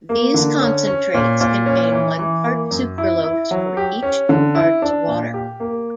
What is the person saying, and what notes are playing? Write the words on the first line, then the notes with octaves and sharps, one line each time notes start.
These concentrates contain one part sucralose for each two parts water.
A#3
D3
C#4
C#4
A#2
A#2
C#4
E3
E3
A#3
F#2
E4
E4
F#3
G4
C#4
D3
E4
D4
A#2
G4
A#3